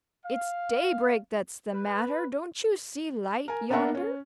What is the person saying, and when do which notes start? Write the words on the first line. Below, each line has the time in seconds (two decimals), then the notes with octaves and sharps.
"It's daybreak that's the matter; don't you see light yonder?"
0.25 F5
1.74 B4
3.48 A#4 G#5
3.70 A#3 B3 D4 A#4 E5 F#5
3.95 C#4